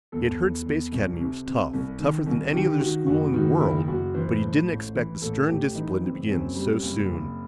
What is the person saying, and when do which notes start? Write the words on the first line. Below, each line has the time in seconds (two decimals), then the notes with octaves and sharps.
He had heard Space Academy was tough, tougher than any other school in the world, but he didn't expect the stern discipline to begin so soon.
0.12 E2 A4
0.39 E2
0.66 E2
0.92 C2
1.19 C3
1.46 C3
1.73 C2
1.99 D#3
2.26 C2
2.53 D#3 G4
2.80 D#3 F#4
3.07 F#1 F#4
3.34 D#3 F#4
3.60 F#1 E4
3.88 F#1 F#4
4.14 E3 C5
4.42 A2
4.68 A1
4.95 E3
5.22 A1 A4
5.48 A1 G4
5.75 E3 D#4
6.02 F#1 C4
6.29 F#2 C4
6.56 G3
6.82 F#1
7.10 F#1